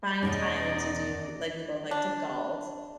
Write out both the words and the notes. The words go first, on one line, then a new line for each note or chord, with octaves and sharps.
find time to do like, we both like to golf.
E2 B2 C#4 D#4 D5 D#5
D4